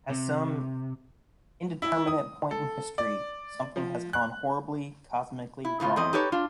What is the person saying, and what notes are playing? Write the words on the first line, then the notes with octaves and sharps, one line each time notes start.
At some indeterminate point in history, something has gone horribly, cosmically wrong.
C3
E4
D#6
A4
D5
F3
F#6
E4
A2 C#3 B3 F4
E2 A3 C4 D#5
D#4 G4 A4 B4 C#5
D4 F4